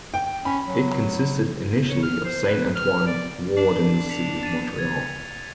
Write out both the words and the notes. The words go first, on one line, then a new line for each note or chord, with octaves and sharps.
It consisted initially of Saint Antoine ward in the city of Montreal.
G5
C#4 B5
F#3
C#5
F6
C5
B4
F6
D5
D4 C7
B6 C#7 F7
A6 D#7
G#6